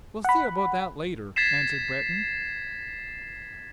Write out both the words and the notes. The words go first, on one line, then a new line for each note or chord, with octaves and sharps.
"We'll see about that later," answered Breton.
F#5 B5
G#6 A6 B6 C7 E7